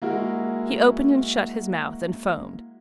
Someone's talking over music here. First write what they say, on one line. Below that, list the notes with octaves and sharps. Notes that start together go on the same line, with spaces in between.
He opened and shut his mouth and foamed.
G#3 A#3 E4 F#4 A#4